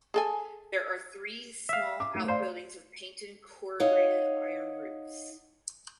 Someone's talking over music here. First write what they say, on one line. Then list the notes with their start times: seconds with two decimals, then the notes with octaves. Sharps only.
There are three small outbuildings with painted corrugated iron roofs.
0.14 G#4 A4 G#5
1.69 E5 F5
2.00 D6
2.15 A3
2.28 C5 D5 F5 C6
3.80 D#4 C#5 F5 F#5